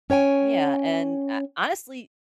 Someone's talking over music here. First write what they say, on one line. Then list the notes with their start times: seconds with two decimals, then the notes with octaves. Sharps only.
Yeah, and, h honestly,
0.10 C#4 C#5 G5 G#5